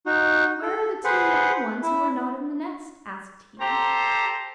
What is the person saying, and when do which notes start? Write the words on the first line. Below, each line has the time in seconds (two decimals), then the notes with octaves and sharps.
'Where are the two young ones who are not in the nest?' asked he.
0.06 D#4 F#4
0.62 A4
1.04 G#4 B4 C5 F#5
1.83 E4
3.60 G4 A4 C5 A#5